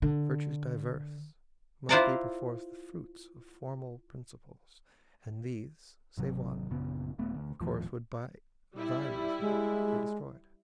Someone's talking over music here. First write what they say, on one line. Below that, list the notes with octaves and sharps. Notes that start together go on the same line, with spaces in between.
Virtues diverse must be perforce the fruits Of formal principles; and these, save one, Of course would by thy reasoning be destroyed.
D3
E4 F4 C5 D5 F#5 A#5
G#1 C3 F#3
A#1 F#2 C#3 B3
D#1 A3 B3
D2
D#1 D#2 A2 F3
G3 E4
G#3